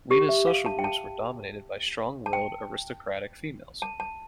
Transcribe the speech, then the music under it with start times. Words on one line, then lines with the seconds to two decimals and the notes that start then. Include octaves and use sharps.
Lina's social groups were dominated by strong-willed "aristocratic" females.
0.11 G4
0.29 E5
0.47 F5
0.66 A5
0.79 G5
0.84 A5
2.26 A5
2.33 G5
3.82 A5
4.00 A5